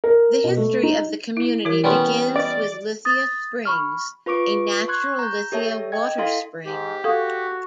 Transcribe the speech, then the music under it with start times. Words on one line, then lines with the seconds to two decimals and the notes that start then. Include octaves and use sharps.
The history of the community begins with Lithia Springs, a natural lithia water spring.
0.04 A#4
0.44 B2
0.57 A3
0.83 D#4
1.37 E4
1.65 E3 E4 A#4
1.84 G3 B3 C#4 D5 C6
2.36 D5 D#5
3.05 D#6 A6
3.65 B5 C#6 F6
4.26 F4 B4 C#6 D6 D7
4.88 C6 C#6 F#6 G#6
5.19 A#5 G6
5.52 G4 A4 C#5 E5 A5
5.92 D#5 G5 G#6
6.18 E4 A4 F5 C6
6.66 G#2 G4
7.04 F#4 A4 F5 D#6